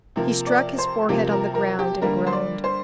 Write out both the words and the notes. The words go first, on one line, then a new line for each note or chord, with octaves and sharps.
He struck his forehead on the ground and groaned.
C3 F3 A#3
D5
C5
C3 F3 A#3 G4
A#4
A#4
G4
D3 G3 A#3 A#4
C5
D5
C5